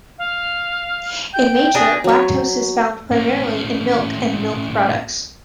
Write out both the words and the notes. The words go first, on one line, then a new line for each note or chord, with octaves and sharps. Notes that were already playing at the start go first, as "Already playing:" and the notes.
In nature, lactose is found primarily in milk and milk products.
F5
G5 G6
D4 G#4 A#6
F#3 C#5
A2 C#4